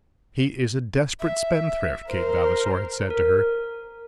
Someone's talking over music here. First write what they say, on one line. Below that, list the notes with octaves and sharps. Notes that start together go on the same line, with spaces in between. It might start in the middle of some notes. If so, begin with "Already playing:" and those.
"He is a desperate spendthrift," Kate Vavasor had said to her.
E5
A#4 C5
A#4